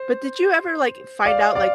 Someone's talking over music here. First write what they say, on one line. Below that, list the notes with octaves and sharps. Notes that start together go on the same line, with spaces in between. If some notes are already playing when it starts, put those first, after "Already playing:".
But did you ever, like, find out, like,
Already playing: C5
D5 F5
D5 F5